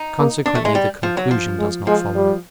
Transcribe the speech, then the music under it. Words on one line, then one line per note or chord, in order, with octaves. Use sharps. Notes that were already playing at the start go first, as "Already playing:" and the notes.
Consequently the conclusion does not follow.
Already playing: D#4
A#3
D4
A3
G#3
G3
F3
F#3
F3
G#3
F3 G#3
G3